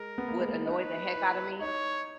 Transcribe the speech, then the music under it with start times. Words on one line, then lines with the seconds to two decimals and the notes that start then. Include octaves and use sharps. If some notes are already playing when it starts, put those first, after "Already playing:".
would annoy the heck out of me.
Already playing: G#3 A#4
0.18 B3
0.28 A#3
0.38 G#3
0.49 A#3
0.66 D#4 B4
1.14 E4
1.61 D#4 C#5